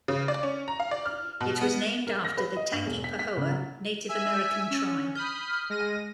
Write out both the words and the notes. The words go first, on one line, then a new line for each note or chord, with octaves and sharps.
It was named after the Tangipahoa Native American tribe.
C#3
D5
C#4
A#5
F5
D5
F6
B2
B3
A#4
A#6
B4
D#5
G2
E1
B6
B6
C#3
F#3
E5 G#5 E6
C#4
B5 D#6 F6 G6
G#3 A#6 D#7